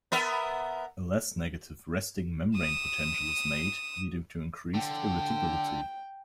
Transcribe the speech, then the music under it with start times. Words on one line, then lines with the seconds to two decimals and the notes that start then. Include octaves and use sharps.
A less negative resting membrane potential is made, leading to increased irritability.
0.12 B3 A#4 E5
2.58 D#6 E7
4.74 D3 G5